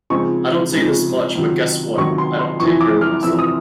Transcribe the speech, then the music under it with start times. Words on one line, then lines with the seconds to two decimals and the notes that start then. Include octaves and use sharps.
I don't say this much but guess what, I don't take care of myself.
0.10 C#3 F3 G#3 C4 D#4 C#6
0.72 C#3 F3 G#3 C4 D#4
1.35 C#2 C3 D#3 F#3
1.97 C#2 C3 D#3 F#3 C#6
2.18 C6
2.39 C6
2.60 F2 C3 E3 C#6
2.81 D6
3.01 F6
3.23 F2 C3 E3 E6
3.39 D#6